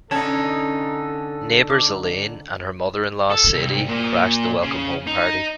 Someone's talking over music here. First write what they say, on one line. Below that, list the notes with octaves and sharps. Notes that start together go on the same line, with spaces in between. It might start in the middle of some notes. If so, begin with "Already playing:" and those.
Neighbors Elaine and her mother-in-law Sadie crash the welcome-home party.
D3 C#4 D#4 A4 A5 G#6
D6 F#7
A4
C2
A#2
C#3
D#4